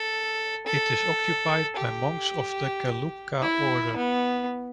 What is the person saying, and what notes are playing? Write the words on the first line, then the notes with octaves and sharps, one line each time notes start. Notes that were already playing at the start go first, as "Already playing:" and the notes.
It is occupied by monks of the Gelukpa order.
Already playing: A4
A4
G4
E4
B3